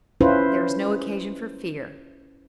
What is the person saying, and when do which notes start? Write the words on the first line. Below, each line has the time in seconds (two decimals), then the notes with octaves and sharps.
There is no occasion for fear.
0.21 C#4 E4 F4 B4 C5